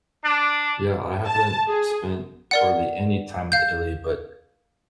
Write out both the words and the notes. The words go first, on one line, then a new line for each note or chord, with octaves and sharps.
Yeah, I haven't spent hardly any time in Italy, but,
D4
A5
G#4
A#4 D5 F#5
F5 G6